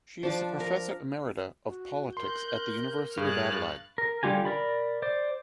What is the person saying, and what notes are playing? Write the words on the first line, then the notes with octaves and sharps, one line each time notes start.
She is the Professor Emerita of Politics at the University of Adelaide.
F3 D4 D6
A#4
F#4
A#4 C6 F#6 G6
G2 G#4 F6 F#6 A6
A#4
D3 G3 F4 G4 G#5
A#4 D5 B5
C5 D5